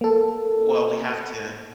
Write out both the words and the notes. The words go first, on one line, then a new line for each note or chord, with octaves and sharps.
Well, we have to
A#3 A4